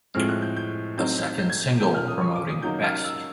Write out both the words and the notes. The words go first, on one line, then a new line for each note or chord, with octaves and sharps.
A second single promoting Best...
A2 F3 G#3 C4 F6
F#6
G6
G6
F#3 A3 C4 D#4 G6
G6
G6
G#6
G6
A#2 F#3 A#3 C#4 G6
F6
D#6
C#6
D6
D#6
C#3 F#3 A#3 D#4 G6
F6
E6